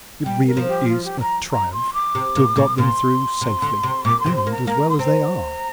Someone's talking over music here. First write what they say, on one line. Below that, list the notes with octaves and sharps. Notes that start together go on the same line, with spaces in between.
It really is a triumph to have got them through safely and as well as they are.
G3 G5
A#4
F3
G4
F4
G4
A#5
A#5
C6
D6
C3
A#2
A#2
A#2 C6
C3
D3
C3
A#2 D6
C6
C3
C6
A#3
A#5
A#3 A#5
C6
C4 A#5